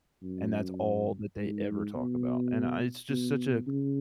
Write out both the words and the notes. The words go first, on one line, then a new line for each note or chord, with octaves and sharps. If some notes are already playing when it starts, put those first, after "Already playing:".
and that's all that they ever talk about. And I it's just such a
F#2
G#2
B2
B2
C#3